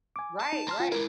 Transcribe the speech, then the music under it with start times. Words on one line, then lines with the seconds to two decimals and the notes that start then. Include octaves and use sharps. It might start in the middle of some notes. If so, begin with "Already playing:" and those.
Right, right.
0.16 G#5 D6
0.40 A5
0.53 D#4
0.67 D2 A5 A#5 C6 F6
0.80 F4
0.92 G#3 E4 A#4